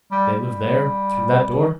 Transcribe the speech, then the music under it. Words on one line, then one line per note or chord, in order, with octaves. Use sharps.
"They live there, through that door?"
G3
G3